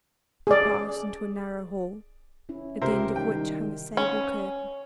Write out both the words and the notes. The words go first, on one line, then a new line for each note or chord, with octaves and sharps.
They passed into a narrow hall, at the end of which hung a sable curtain.
G#4 D5
C#4 E4
C#2 C3 E4 G4 A#4 C5
D#3 G3 G5
C#4